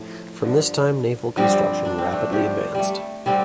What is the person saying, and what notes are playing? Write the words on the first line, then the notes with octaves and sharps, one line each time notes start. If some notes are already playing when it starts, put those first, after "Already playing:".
From this time naval construction rapidly advanced.
Already playing: A2 F3
G2 D3 F3
G2 D3 F3 G3 C4
D4
C4
A3 D4
G2 D3 F3 D4 G4
G3 A3
D3 G3 C4